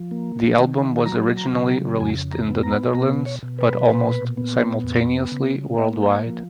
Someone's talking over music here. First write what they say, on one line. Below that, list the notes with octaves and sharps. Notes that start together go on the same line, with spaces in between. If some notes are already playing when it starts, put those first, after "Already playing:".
The album was originally released in the Netherlands but almost simultaneously worldwide.
Already playing: F3
A#3
D#3
F#3 A#5
A#5
C#3
A#5
F2 G#5
A#5
B3
A#5
B2 A#5
C#5
B2
B4
A#2
B3
F2
C#3
A#3 D#5
G#5
F3